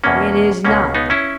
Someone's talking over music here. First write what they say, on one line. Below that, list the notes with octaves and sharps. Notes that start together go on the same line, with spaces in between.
'It is not.
E2 B2 A#3 C#4
C#2 B2 A#3 C#4
B3 D#4
C#4 E4